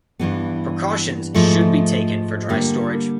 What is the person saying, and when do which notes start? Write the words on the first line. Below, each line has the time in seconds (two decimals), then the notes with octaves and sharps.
Precautions should be taken for dry storage.
0.19 G2 E3 G3 B3
1.34 G#2 F3 A3
2.49 D3 G3 A#3